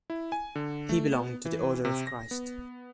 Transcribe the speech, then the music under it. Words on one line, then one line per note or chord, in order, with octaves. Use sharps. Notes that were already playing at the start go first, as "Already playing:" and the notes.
He belonged to the Order of Christ.
E4
G#5
D3
A3
B3
E3
C3
A#6
B3